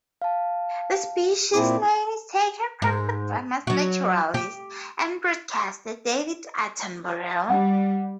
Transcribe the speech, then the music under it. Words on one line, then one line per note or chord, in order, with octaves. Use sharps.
The species name is taken from the famous naturalist and broadcaster David Attenborough.
F5 A5
A#2 C4 E4 D6
G#2
F#3 F#4
G4
G3 F#5